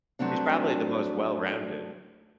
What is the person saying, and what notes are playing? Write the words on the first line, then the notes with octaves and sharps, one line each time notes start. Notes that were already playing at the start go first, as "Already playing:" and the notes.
He's probably the most well-rounded
G2 F#3 A3 C4 D4